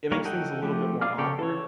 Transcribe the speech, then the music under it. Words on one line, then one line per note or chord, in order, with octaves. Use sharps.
it makes things a little bit more awkward,
G3 A#3 A#4 C#5
A4 D#5 F#5 G5
F3 A3 G4
G#4 D5 F5 D6 F6
C#3 A4 C#5 D5 G5
A4 C#5